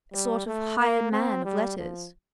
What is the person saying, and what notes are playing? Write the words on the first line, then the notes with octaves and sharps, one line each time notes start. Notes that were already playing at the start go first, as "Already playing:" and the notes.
A sort of hired man of letters!
G3
A3
A#3
C4
G3
F3